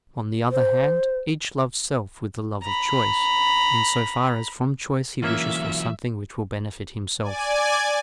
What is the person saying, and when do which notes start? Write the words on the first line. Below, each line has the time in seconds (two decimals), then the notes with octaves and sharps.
On the other hand, each loves self with the love of choice, in so far as from choice he wishes for something which will benefit himself.
0.51 C5
2.63 A#5 B5
5.23 E3 F#3 A#3 C#4 F4 E5
7.21 D5 G#5